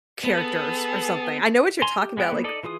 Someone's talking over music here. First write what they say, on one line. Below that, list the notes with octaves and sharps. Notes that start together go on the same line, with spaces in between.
characters or something, I know what you're talking about, like,
B3 G#4 A4
G#5 A#5 C6
G4
G#3 B3 G#4 G5 F#6
A#3 B3
D#4 A4 D5 D#5
E3 F4 G#4 D#6